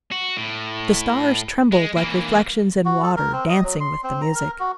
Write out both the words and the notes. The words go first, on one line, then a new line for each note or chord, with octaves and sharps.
The stars trembled like reflections in water, dancing with the music.
F#4
A2
G#3
E3 A#3
F#4
A4
A#4
C4
D#5
F#3
C6
C4
A#5
A#4
F#4